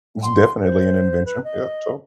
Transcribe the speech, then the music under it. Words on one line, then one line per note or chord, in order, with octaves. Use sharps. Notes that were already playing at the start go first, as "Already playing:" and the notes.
It's definitely an invention, yeah, so
C6
C5
B4
D#5